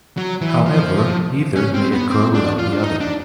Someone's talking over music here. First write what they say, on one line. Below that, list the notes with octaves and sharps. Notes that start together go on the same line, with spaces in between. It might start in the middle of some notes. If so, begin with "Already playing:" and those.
However, either may occur without the other.
F#3
E3
F3
C#4
C4
B3
C4
D4
F4
D4
D#4
D4